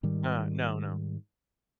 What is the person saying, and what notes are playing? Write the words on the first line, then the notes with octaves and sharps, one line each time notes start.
Uh, no, no.
G#2 D#3 G3